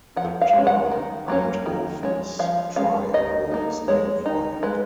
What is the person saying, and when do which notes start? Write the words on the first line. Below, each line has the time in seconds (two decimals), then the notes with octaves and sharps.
The term Einthoven's triangle is named for him.
0.16 F3 F#5
0.41 F5
0.53 G#3 C#4
0.67 F#5
0.91 D#3
1.28 F#3 A#3 C#4
1.66 D#3
2.03 G#3 C#4
2.39 F3 F5
2.76 G#3 C#4 F5
3.14 D#3 D#5
3.51 A#3 D#4
3.88 G#3 C#5
4.26 D#4
4.63 G#3 B4